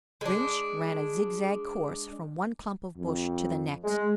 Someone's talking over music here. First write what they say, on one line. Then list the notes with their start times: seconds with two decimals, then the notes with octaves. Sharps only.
Rynch ran a zigzag course from one clump of bush to the next.
0.21 G#3 D4
2.97 F2
3.84 G#3